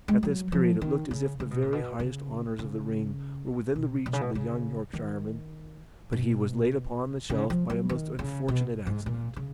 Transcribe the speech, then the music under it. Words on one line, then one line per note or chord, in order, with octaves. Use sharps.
At this period it looked as if the very highest honours of the ring were within the reach of the young Yorkshireman, but he was laid upon the shelf by a most unfortunate accident.
G#3
F#3
F3
D#3
C#3
C#3
B2
A#2
B2
C#3
C#3
B2
B2
C#3
B2
C#3
D#3
B2
C#3
F3
F#3
D#3
C#3
B2
G#2
A#2
C#3